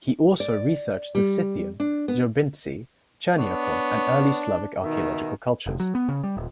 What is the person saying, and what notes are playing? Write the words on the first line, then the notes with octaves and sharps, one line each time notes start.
He also researched the Scythian, Zarubintsy, Chernyakhov and early Slavic archaeological cultures.
D5
G3
D4
B3
B3 D4 C#5
B2 D#3 E5
F1
F#3
B3
C#3
G3
D#1